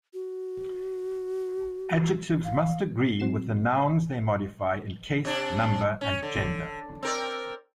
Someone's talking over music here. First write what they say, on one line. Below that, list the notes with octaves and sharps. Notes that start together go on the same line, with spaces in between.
Adjectives must agree with the nouns they modify in case, number, and gender.
F#4
F5
F#3 C4 F#4 C7 E7
C3 D4
C#4
D3
C4 A#4 D5